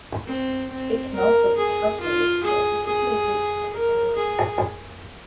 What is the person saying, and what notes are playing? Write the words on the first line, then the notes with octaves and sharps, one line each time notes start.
It can also be calculated for a particular route of an airline.
C4
C4
A#4
G#4
F4
G#4
G#4
A#4
G#4